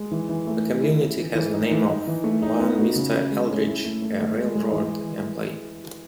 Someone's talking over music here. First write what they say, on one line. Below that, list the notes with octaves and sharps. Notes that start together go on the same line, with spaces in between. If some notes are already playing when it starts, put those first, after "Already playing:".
The community has the name of one Mr. Aldrich, a railroad employee.
Already playing: G#3
E3
E3
A3
A3
E4
C#4
E3
E3
D#4
E3
D#4
E3
A3
D#4
B3
F#4
C#3
C#4
G#3
C#4
E4
A3
A3
A3
G#3
G#3
E3